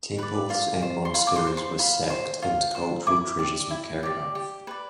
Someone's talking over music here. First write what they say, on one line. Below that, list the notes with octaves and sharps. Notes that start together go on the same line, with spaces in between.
Temples and monasteries were sacked and cultural treasures were carried off.
B4 D5
F4
C5
C6
F4 B5
D6
C6
C5
C6
F4 B5
C5
F4
C5
E4 D6
G4 D5
E4
G4 D5
G4
B4 D5